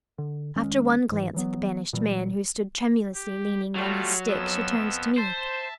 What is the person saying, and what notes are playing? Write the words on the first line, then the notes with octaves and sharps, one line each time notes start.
After one glance at the 'banished man,' who stood tremulously leaning on his stick, she turned to me.
D3
F1 D#3 G#3 C#4
G#2 E3
E3 F#3 B3
A#2 E3 F#3 G3
G4
F#3 G3 A3 F4
F2 B3 E6
C5 E5 A5